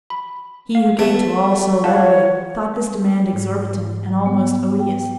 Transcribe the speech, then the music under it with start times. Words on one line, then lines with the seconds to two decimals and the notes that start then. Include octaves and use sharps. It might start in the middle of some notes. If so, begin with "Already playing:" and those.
He who gave to all so readily thought this demand exorbitant and almost odious.
0.10 B5
0.75 F5
0.99 A3 B3 B4
1.84 F4 C#5 F5 F#5 A5
2.74 G#3
3.33 G#2
4.06 F#3
4.26 B3
4.80 G5